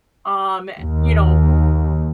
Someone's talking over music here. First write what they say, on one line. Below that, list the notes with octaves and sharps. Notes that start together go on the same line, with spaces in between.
um, you know,
D#2